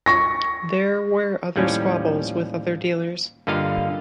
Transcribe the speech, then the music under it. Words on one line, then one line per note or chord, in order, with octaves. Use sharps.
There were other squabbles with other dealers.
C#6 A#6
D#2 A2 F3 G3 C#4
G2 D3 A#3 F4 D#5 F5